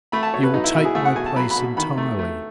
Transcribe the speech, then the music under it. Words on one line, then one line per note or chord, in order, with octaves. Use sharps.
You will take my place entirely.
A3 B5
A5
B2 C#5
B4
F#3 D#4
E4
B2 E4
G#4
A3 E5
F#5
B2 G#5
A5
F#3 B5
B5
B2
D#3 B5
A3
A3